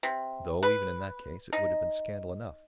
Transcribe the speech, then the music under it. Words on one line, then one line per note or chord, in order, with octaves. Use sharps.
Though, even in that case, it would have been scandal enough.
C3
B4
D#4